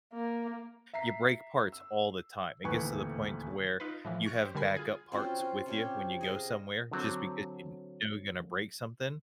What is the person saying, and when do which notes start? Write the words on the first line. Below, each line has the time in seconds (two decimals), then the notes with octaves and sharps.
you break parts all the time; it gets to the point to where you have backup parts with you, when you go somewhere, just because you know you're gonna break something,
0.13 A#3
0.93 E5 A#5 B6 C7
1.72 E6
2.64 D#1 D2 E3 B4 G#5 C#6
3.80 D#4 F4 B4
4.05 A2 E3 F3
4.26 C#6 F6 F#6 A#6 C#7 D7
4.42 G4 C5
4.55 D3 G3 A#4 G#5 B5 C7
4.76 F4 G#4
5.12 C4 C#4 F4 F#4
5.40 F4
5.66 C3 C#4 G4
6.21 G#4 D#5 F5
6.91 D3 F#3 C4